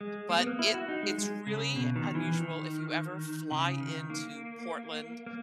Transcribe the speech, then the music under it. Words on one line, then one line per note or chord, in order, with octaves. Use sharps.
But it it's really unusual if you ever fly into Portland,
G#3
A#3
B3
A#3
E4
F#4
D#4
G#3
G#3
C#3
B2
D#3
E3
D#3
C#3
D#3
A#3
A#3